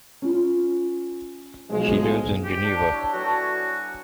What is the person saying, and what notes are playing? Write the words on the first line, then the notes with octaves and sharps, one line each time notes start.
She lives in Geneva.
C#4 F4
B1 F3 G#3
G4
D4
D4 E4 C#5
F#3 A3 B3 F#4
G#5